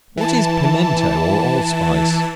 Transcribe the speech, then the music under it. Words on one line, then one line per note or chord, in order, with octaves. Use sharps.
What is Pimento or Allspice?
E3 A5